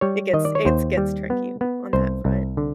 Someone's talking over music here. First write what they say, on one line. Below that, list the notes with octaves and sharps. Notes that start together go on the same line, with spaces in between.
it gets it's gets tricky on that front,
G3 C#5
D#3 D#5
D5
C#5
D#2 C5
G3
B3
B3
C2 C5
C2
D3